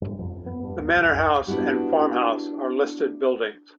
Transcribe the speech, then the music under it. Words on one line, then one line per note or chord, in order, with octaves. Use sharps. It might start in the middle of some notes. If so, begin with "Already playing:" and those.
The Manor House and farm house are listed buildings.
G2
F2
B3
G2
D#2
C2
F#2
B3 D4 E4 F#4 G4